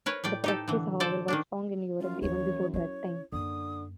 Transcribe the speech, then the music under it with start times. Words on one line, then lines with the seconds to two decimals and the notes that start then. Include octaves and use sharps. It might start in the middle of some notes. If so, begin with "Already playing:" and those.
The practice, however, was strong in Europe even before that time.
0.06 A#4 B4 C#5
0.24 A2 D5 G5
0.44 D#4 G4 A4
0.68 D3 E3
1.00 A4 C5 D5
1.28 D#3 A#3 D4
2.01 F#2 F4
2.22 D#2 E3 C#5
2.74 C#4 E4 C#5
3.32 F#2 D3 A#3 D#6